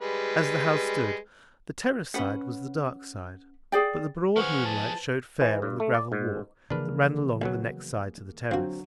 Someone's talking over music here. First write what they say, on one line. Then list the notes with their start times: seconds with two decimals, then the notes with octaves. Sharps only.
As the house stood, the terrace side was the dark side; but the broad moonlight showed fair on the gravel walk that ran along the next side to the terrace.
0.01 G3 G#3 B4
2.14 C#4 D4 B4 F#5
3.72 G#4 D5 G5
4.36 F3 G#4 B4 C5 F#5 C#6 F6
4.65 A5
5.41 E3
5.62 G2
5.80 A3
5.95 D5
6.12 G#2
6.70 C#3 E3 F3 A#3 D4 G#4 B4 F6
7.42 B1 F#3 B3 C#4
8.51 D3 F3 F#3 C4 F#4